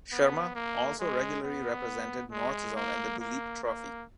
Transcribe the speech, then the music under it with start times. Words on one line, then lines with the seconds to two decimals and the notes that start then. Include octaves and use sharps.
Sharma also regularly represented North Zone in the Duleep Trophy.
0.12 B3
0.55 A#3
1.00 G#3
1.44 B3
2.32 G#3
2.76 A#3
3.20 A#3
3.64 A#3